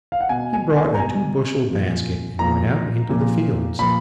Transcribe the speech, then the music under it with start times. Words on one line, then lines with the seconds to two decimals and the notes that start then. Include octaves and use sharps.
He brought a two-bushel basket and went out into the fields.
0.12 F5
0.21 F#5
0.29 B2 G#5
0.53 G#5
0.76 G#5
0.94 A#5
0.99 B2 G#5
1.70 A#2 F3
2.39 A#2 F3 A#5
3.09 A#2 F3
3.78 A#2 F3 B5